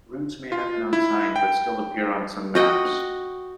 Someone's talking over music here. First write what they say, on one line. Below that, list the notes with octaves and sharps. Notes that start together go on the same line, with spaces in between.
Routes may have been unsigned, but still appeared on some maps.
F4
E4
G5
F#4 D#5 G5